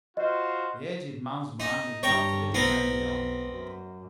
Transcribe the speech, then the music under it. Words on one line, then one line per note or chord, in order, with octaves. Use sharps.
The aged man's mind was not to be depended on.
F4 F#4 C5 D#5
D#4
G2 C#5 G5 A#5
B1 B3 C4 A#4
F#2